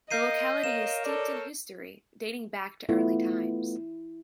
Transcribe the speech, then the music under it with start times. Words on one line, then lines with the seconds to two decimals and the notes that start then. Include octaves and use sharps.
The locality is steeped in history, dating back to early times.
0.11 A#4 D#5 F5 G6 C7 D#7
0.64 A#4 C#5 F5 E7
1.05 A4 D5
2.89 A3 B3 E4 F4